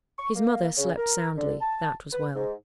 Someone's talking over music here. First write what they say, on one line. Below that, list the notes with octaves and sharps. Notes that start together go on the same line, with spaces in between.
His mother slept soundly: that was well.
C#6
A#3
C#3
A#4
D3
A5
B4
G#2